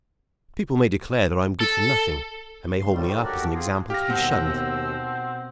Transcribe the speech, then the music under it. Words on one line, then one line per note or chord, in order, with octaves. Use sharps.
People may declare that I am good for nothing, and may hold me up as an example to be shunned.
A4
C#3 C6
A2 D#3 F3 G3 A3
F#4 G4 A4 A#4 D5
C4 F4 G#4
G4 F5 A#6
D#2 B2 C4 F#5 E6